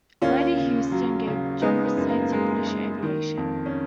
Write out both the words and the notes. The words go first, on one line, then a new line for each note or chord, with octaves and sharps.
Lady Houston gave generously to British aviation.
D#2 C#4 F4
C#3
F#3
C#3
G#3 B3 D#4
B3
F#2
A#3
G#3
G#3
D#3
F2
C#4